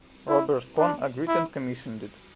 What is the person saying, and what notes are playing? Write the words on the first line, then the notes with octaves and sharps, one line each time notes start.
Robert Kohn agreed and commissioned it.
E4
D4
E4